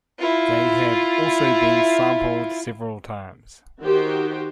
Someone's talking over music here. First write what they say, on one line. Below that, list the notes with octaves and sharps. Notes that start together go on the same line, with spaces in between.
They have also been sampled several times.
E4 F4
D#3 F#4 G4 C5